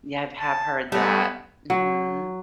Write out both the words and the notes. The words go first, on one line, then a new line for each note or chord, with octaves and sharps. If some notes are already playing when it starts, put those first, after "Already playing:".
Yeah, I've have heard that. Mhm.
A5
G3 A3 B3
F#3